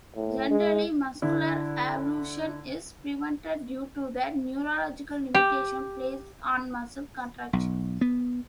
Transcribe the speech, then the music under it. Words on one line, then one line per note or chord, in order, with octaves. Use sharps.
Generally muscular avulsion is prevented due to the neurological limitations placed on muscle contractions.
A2
G#3
D3 E4
G4
B1
B3